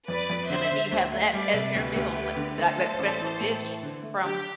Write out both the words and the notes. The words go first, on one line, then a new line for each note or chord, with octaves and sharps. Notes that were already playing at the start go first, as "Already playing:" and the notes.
and then you have that as your meal li eh, that that special dish from
F2 B4 D5
F2
D3 C5 E5
D3
D2
A3
G3 B4 D5
C3
D2 G4 B4
D2
A3
D3
A3 A4 C5
A3
A1
E3
A2
E3
D3
A3
D3 G4